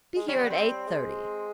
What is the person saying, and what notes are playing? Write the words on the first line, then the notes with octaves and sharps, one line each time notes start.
Be here at eight-thirty.
G#3
G3 C#4
C4
B3
C4
G3
G#3